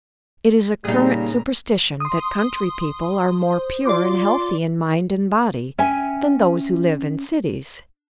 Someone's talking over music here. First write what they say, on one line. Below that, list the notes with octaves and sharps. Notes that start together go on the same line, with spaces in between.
It is a current superstition that country people are more pure and healthy in mind and body than those who live in cities.
A#2 C#3 G3 D#4 G#4 A#5
C6 D#6
C5
F4 D5 C6 D6
C#4 E5 G5 G#5